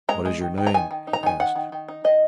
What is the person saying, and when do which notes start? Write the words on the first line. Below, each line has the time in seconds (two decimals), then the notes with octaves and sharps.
"What is your name?" he asked.
0.09 G#3 A#5
0.25 G#3
0.41 D#3
0.58 D#3
0.67 A#5
0.74 D#3 G#5
0.91 D#3
1.07 D#4
1.13 A#5
1.23 D#3 G#5
1.40 D#3 F#5
1.56 D#3
1.72 D#3
1.88 D#4
2.04 D#3 D#5